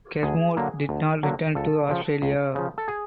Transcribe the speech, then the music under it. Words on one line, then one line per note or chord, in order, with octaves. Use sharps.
Kermode did not return to Australia.
D2 G#4
D3 F#3 A#3
D2
D3 F#3 A#3
C#2 A4
C#3 F3
C#2
C#3 F3
A4
G#4